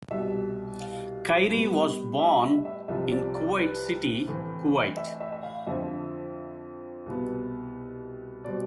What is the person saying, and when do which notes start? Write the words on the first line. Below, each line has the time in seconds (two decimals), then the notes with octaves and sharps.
Khairy was born in Kuwait City, Kuwait.
0.10 C2 B2 G3 E5
0.80 F5
1.50 A2 G3 B3
2.19 E5
2.43 E5
2.65 E5
2.88 C2 C3 F3 E5
3.12 D5
3.35 D5
3.58 B4
4.28 A2 E3 A3 C4
4.97 E5
5.20 E5
5.32 E5
5.43 F5
5.66 F2 D3 F3 C4 E5
7.06 C2 B2 B3
8.44 B2 G3 C4 D5